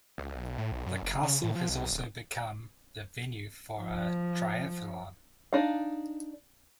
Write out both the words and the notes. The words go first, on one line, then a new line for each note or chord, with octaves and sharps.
The castle has also become the venue for a triathlon.
C#2
B1
A2
B1
F#2
F#1
C#3
A2
F3
B1
D1
F3
D4 D#4 F5